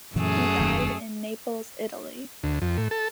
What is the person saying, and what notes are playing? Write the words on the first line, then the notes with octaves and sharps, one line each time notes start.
He died in Naples, Italy.
F#2 A#2 E3 A3 G#4
E1 D#3 A#3
D2
F2
A2
A4